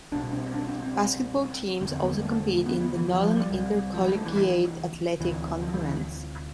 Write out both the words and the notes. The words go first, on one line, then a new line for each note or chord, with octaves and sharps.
Basketball teams also compete in the Northern Intercollegiate Athletic Conference.
C2 B2 D4
C4
D4
C4
C4
E2 D3 C4
C4
B3
G3
A3
B3
B3
E3
F3
F3
G3
C2 C3
F3
G3
A3
E3
E3
D2 C3 E3
F3
G3
F3
E3